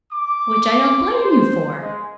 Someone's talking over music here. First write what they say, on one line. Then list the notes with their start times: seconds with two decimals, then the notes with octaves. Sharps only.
'Which I don't blame you for.
0.11 D6
1.14 C5
1.81 G#3